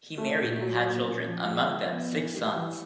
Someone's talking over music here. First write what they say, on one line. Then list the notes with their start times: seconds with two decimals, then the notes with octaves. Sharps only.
He married and had children, among them six sons.
0.18 A3
0.40 A#2
0.61 F#3
0.83 A#2
1.04 C#4
1.26 F3
1.48 G#3
1.69 F3
1.91 B3
2.12 E3
2.34 G3
2.55 E3